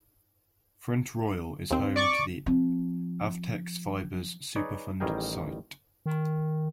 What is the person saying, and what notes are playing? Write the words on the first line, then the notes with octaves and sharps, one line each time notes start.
Front Royal is home to the Avtex Fibers Superfund Site.
D#2 C4
D5 C#6 D6
F3 C4
D#4 G#4 B4 C#5 D5
A1 D#3 G3 G#4 A#4 G5
D#3